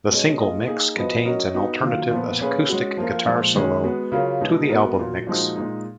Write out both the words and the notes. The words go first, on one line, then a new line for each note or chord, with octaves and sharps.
The single mix contains an alternate acoustic guitar solo to the album mix.
B2 G#3 C#4 G#4 D#5
A#3 F4 G#4 D#5
A#3 D#4 G#4
F3 B3 F#4 B4 D#5
F#3 C#4 F#4 A#4 D#5
B3 D#4 F#4
D#3 F#3 A#3 F4
A#2 F3 B3
A#3 C#4 G#4 B4
G#3 C#4 F#4
F3 A#3 F4 A#4
A#2 F3 G#3
D#3 G#3 C#4
G#3 B3 F#4
C#3 F#3 C#4 F4 A#4
B2 G#3 D#4
B3 F#4 A#4
A#2 F#3 A#3
A#2 F3 G#3 D#4 F#4
A#2 G#3 D#4